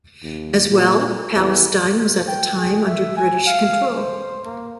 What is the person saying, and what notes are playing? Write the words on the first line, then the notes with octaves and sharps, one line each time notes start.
As well, Palestine was at the time under British control.
D#2
A#2
E2
G5
G#4
E5
G#5
F5
C5
A#3